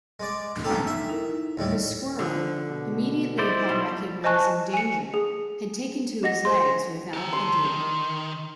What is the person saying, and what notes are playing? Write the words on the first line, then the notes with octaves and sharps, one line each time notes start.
The squirrel, immediately upon recognizing danger, had taken to his legs without ado.
G#3 D5
C#4 D#4 G4 A4 A#5
E5
D#4 E4 A#4
D#2 A2 G3
D3 F3
B2
D#4 E4 C5 D5
B2 F#3
C5 D#5 G#5 A5 C#6 F#6
G#5 C#7
G#4
G4 D#5 F#5 A#6
C5 C6
G4 A#5
C6
D#3